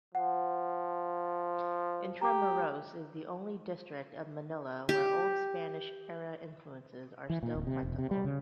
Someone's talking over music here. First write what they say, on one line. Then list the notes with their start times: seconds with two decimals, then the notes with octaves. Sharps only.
Intramuros is the only district of Manila where old Spanish-era influences are still plentiful.
0.15 F3 F#5
2.21 G4 A#5 D6
4.89 G4
7.30 E3
7.43 A#2
7.55 D1
7.67 C3
7.83 E1
7.98 C3
8.11 G3
8.25 C#3